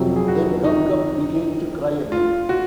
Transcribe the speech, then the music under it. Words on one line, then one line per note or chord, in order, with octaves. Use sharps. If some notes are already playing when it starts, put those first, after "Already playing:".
Then Gub-Gub began to cry again.
Already playing: F2 C3 F#3
G#4
F#4
D#4
F4
F#4